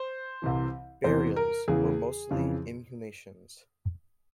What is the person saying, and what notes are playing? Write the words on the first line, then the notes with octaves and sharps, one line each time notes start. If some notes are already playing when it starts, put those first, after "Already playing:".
Burials were mostly inhumations.
Already playing: C5
C2 C3 E3
E2 C3 E3 C5
A#4
E2 C#3 E3 G#4
F2 C#3 E3